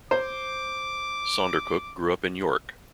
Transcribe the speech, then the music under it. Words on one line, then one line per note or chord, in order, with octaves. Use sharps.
Saundercook grew up in York.
C5 D6